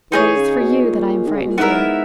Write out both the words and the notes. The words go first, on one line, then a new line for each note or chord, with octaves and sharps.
But it is for you that I am frightened, dear.
E3 D#4 G#4 C#5
C#3
B2
A#2
D#3
C#3
B2
A#2
G#2 B3 E4 A#4 E5